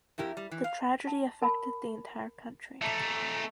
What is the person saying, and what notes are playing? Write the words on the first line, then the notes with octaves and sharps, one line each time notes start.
The tragedy affected the entire country.
F2 E4 G4 A#4
G3
E3
F5
A5
A#4 A5 B5
A3 D#4